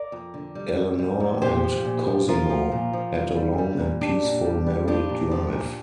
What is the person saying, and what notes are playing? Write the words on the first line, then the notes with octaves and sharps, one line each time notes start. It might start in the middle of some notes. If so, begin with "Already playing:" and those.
Eleanor and Cosimo had a long and peaceful married life.
Already playing: A#4 D5
F2
D3
G3
F2
G3
F2
A#2 G4 C5
F3
A#2
F3
F3 F4 A#4
F3
A#2
F3
G3
G3
G3
A#2
G3 D4 G4
A#2
G3
G3
F3 D4 G4
A#2
F3
A#2